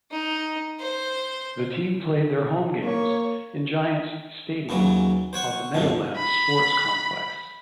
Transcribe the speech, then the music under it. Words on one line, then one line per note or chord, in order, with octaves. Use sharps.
The team played their home games in Giants Stadium of the Meadowlands Sports Complex.
D#4
C5
A#3 C#5
D#2 C#3 E3 F#3
C5 C#5 F#5 C#6
C2 G2 B2 F3
B5